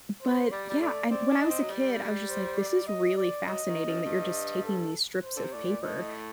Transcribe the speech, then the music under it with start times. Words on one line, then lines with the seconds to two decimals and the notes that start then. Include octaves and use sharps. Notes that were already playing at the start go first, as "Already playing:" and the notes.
but yeah, and when I was a kid, I was just like, "This is really fascinating that you're just taking these strips of paper."
0.22 C5
0.51 G3 D5
0.70 G3
0.81 A3 D5
1.10 C4 D5
1.31 D4
1.40 D#5
1.50 C4
1.62 F#3
1.70 G3
2.29 C5
2.58 D5
2.87 D#5
3.17 D5
3.47 F#3 D#5
3.67 D#3
3.86 F#2
4.06 G2
4.65 A4
5.23 C5
5.36 D3
5.44 C3
5.53 A2 D5
5.63 A#2
5.82 A2 D#5